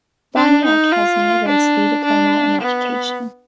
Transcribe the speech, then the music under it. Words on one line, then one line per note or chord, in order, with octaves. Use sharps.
Boniek has a University diploma in education.
D4
D#4
F4
D4
D4
B3